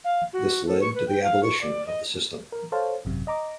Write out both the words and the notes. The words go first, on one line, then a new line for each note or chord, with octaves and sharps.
This led to the abolition of the system.
F5
F#4
A4
C#6
B4
G5
F5
C#6
D5
D#5
A#4
A4 C5 C#5 F5 A5
G#1 F#2 C3
D#5 A#5 D6